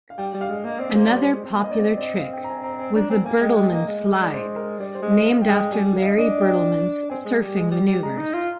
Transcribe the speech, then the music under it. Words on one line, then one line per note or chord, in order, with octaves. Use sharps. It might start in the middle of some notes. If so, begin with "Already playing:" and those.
Another popular trick was the Bertlemann slide, named after Larry Bertelemann's surfing manoeuvres.
F5
G3 G5
G3
F5
G#3
A#3 D#5
C4 D5
A#3 C5
G3 D5
G3 C5
G#3
C4
A#3 F5
D#5
D5
C4 D#5
D5
D#5
F5
G5
A#5
G#5
A#5
G#5
D4 A#5
C4 G#5
A#3 G#5
G#3 G5
G#3 G5
A#3 D#5
G#3
D5
C5
A#4
G3 D5
C5
G#3
D#5
F5
G5
G#3
G5
G3 G#5
F5
D#5
D4 D#5
G5
C4 G#5
G#3
G3
G#3
G3
G3
G#3 A#5
D#4
F4